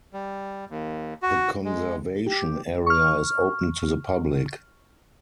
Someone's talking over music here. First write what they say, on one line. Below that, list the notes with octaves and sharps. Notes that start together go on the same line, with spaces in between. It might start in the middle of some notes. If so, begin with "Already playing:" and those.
The conservation area is open to the public.
G3
D#2
F#4
G#3
G4
C#6 F6